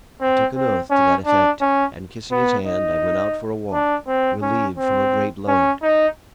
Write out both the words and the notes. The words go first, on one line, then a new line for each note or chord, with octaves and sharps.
I took an oath to that effect, and kissing his hand, I went out for a walk, relieved from a great load.
C4
C4
C#4
D4
C#4
B3
D#4
D4
C4
C#4
C4
C#4
D#4